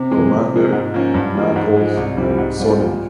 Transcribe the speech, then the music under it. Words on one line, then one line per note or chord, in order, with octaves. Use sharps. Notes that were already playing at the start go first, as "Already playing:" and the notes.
Commander, Knuckles, and Sonic.
Already playing: C3
E3 G#3
C3
F3 G#3
G#2
F3 A#3 C#4
G2
E3 A#3 F4
G#2
F3 G#3
C2
A#2 G3 C4 E4
G#2
G3 C4 F4
A#2